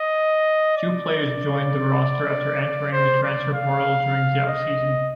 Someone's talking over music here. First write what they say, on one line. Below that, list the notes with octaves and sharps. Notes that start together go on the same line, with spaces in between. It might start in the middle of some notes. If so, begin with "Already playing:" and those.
Two players joined the roster after entering the transfer portal during the offseason.
Already playing: D#5
D5
D5
C5
D5
F5
D#5